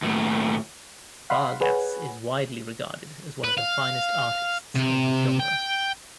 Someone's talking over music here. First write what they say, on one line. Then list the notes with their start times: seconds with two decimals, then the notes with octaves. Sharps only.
Vargas is widely regarded as one of the finest artists in his genre.
0.02 D#2 A2
1.30 F5 F#5 B5 C6
1.61 G#4 B4 C#5 F#5 G#5
3.44 B4
3.57 F5
4.75 C3
5.39 G5